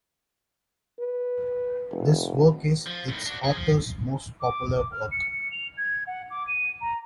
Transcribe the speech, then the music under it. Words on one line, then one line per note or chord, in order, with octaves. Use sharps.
This work is its author´s most popular work.
B4
F1
F3
A2 D#3
D4 F#4
C3 G#4
F3
D6
D6
F6
C#7
F7
G#6
F#5
D6
D#7
A#5